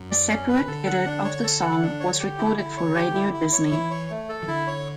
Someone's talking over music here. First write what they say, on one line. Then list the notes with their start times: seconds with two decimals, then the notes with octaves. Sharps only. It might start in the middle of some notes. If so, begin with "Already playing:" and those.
A separate edit of the song was recorded for Radio Disney.
Already playing: F#2
0.11 D5
0.30 C#4
0.49 B4
0.61 C#3
0.67 D3 A4
0.86 F#5
1.06 D4
1.24 C#5
1.44 A4
1.62 F#5
1.82 D4
2.00 C#5
2.20 G4
2.38 E4
2.57 E4
2.77 C#5
2.95 G4
3.14 E4
3.34 E4
3.53 C#5
3.71 E3 E4
3.91 C#5
4.10 A3
4.29 A4
4.43 E3
4.48 D3 E4
4.67 C#5